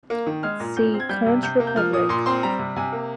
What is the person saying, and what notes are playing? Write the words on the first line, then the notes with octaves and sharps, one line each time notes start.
See: Conch Republic.
A#3
D#3
G#3 F6
A#2
A#2 G6
C4
G#6
G3 G6
C3
C3 G6
A#3
G6
F3 F6
A#2 D#6
A#2 C6
C4 C6
G3 A#5
C3
C3 G#5
A#3